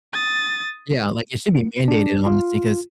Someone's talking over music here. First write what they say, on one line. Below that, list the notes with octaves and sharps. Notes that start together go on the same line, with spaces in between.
Yeah, like, it should be mandated honestly, 'cause
D#6 A6
D4
F4